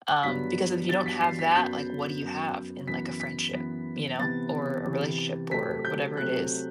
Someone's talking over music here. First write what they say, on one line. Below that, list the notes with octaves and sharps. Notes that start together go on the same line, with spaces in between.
um because if you don't have that, like, what do you have in, like, a friendship, you know, or a relationship, or whatever it is?
G2 F#3 B3 B6
G2 F#3 B3 A6
B6
C7
B6
F#2 F#3 B3 G6
F#2 F#3 B3
F#2 E3 B3 B6
B6
F#2 E3 B3
C3 E3 B3 A6
C3 E3 B3
C3 F#3 A3 C4 B6
G6
C3 F#3 A3 C4 F#6